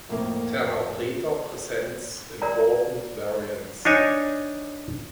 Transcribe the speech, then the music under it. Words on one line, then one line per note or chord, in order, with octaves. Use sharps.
Terra preta presents important variants.
F2 A2 A#3 A#5
A#4 D5 A#5
D4 D#4 C#5 G#5